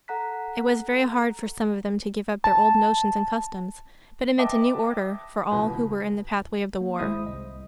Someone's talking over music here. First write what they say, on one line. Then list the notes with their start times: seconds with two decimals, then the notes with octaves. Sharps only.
It was very hard for some of them to give up their old notions and customs, but it meant a new order for all who were in the pathway of the war.
0.08 A4 F#5 A#5 F#6 B6
2.44 A5
4.38 B4 D#5 E5 G5 A5 D6
5.51 C#2 B2 E3 B4
6.81 A#3
6.99 G#1 G#3 E4 C5 E5 D#6
7.26 C2 D#5